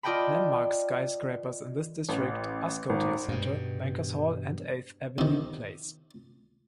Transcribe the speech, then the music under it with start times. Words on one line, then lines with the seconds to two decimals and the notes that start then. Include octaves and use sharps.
Landmark skyscrapers in this district are Scotia Centre, Bankers Hall, and Eighth Avenue Place.
0.03 F4 D5 D#5 G5 A5 B5
2.09 A1
2.89 G#1
3.28 G2 B2
5.18 C3 D#3